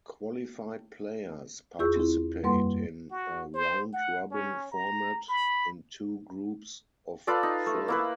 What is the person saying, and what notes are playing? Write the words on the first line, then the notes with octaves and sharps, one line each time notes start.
Qualified players participate in a round-robin format in two groups of four.
E2 F4 G#4 C#6 E6 G6
C4 E4
F#2 G3 A#3 B4 F#5 C6
F#4
C5
F#5
C#4
A#5
B5
F4 A4 B4 D5
D#4
A3
A#3 E4 B4